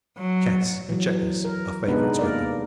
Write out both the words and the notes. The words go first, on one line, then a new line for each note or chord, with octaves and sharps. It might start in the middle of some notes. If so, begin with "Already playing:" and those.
Chess and checkers are favorites with them.
F#3
E3 F#3
A#4
C3 G#3 B3 D4 D#4 B4
A#3 A#4 D5